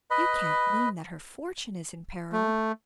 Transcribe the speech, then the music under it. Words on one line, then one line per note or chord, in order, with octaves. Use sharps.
"You can't mean that her fortune is in peril?"
B4 D#5 B5
A3